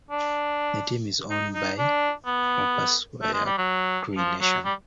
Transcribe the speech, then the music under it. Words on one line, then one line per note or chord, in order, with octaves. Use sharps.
The team is owned by the Opaskwayak Cree Nation.
D4
D#4
D#4
D4
B3
A3
G#3
G3
F#3
F3
F#3
G3